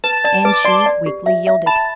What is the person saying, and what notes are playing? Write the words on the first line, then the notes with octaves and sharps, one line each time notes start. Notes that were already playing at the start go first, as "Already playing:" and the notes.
And she weakly yielded.
B4 A5
D5 A5
B4 D6
D5 C6
D5
G4
E5
E5
A5 B5